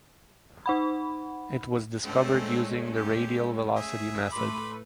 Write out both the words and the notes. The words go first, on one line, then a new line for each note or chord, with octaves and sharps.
It was discovered using the radial velocity method.
D#4 F#5 B5
D3 G#3 A3 C4 C#4 A4
G4
G#4 E5
A2 A3 B4 B5 C6 D6